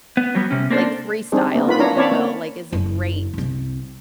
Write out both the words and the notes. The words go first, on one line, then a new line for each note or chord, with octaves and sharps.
like, freestyle, if you will, like, is a great
B3
F#3 G3 B3
C3 C#4
A#3 C4 D4 A4 C5
G3 C4 D4 D#4 G#4 C5
A#3 B3 A#4
B3 D#4 F4 B4 B5
C#4 D4 E4 C#5 F5 A#5
C4 C#5 D5 F5 A5 B5
A#3
F#1
C2 C3